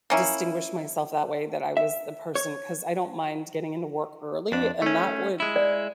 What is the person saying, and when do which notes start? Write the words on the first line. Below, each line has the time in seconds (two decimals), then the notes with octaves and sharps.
distinguish myself that way, that I was the person 'cause I don't mind getting into work early, and that would,
0.10 A#3 C#4 E4
1.77 E5
2.35 C#5
4.52 F2 D4
4.82 A3 C#4
5.40 G#3 E4
5.56 D5